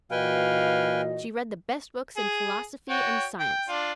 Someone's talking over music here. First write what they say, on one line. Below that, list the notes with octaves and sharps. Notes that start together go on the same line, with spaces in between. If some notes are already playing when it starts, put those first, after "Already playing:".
She read the best books in philosophy and science.
A#2 E3 F#4 B4 D#5 F5 G5 G#5
G#4
F#4 C#5 G5
G5
D4 F4